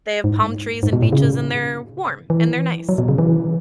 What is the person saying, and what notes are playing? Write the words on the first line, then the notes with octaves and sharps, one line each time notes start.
they have have palm trees and beaches, they're warm, and they're nice.
G#2
G#2
B2
A2
C#3
E3
F#3
B2
C#3
E3